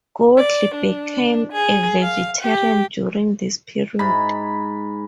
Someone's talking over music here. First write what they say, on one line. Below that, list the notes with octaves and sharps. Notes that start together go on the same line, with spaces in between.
Godley became a vegetarian during this period.
D5
D4
G#4
F5
G4
G#2 B5